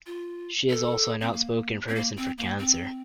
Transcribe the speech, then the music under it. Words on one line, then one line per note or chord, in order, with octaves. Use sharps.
She is also an outspoken person for Cancer.
F4
A4
C4
A#3
C4
A#3
C4
A#3
C4